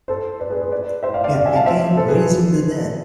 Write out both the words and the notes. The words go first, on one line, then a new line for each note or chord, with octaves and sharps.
It became "Raising the Dead".
A4 C5
B4 D5
G#4 B4
G#4 B4
B4 D5
C5 E5
D5 F5
D5 F5
D5 F5
E5 G#5
F5 A5
C5 E5
A4 C5
G#4 B4